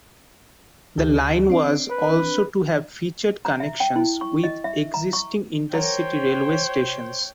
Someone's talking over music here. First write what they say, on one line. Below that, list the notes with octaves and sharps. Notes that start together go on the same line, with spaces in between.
The line was also to have featured connections with existing intercity railway stations.
D2 G4 A5
C4 D4
B4
A#5
E5
G5
E4
C#6
D#5
E5
A#5
C#6
F#3 A#4 C5 C#5 G5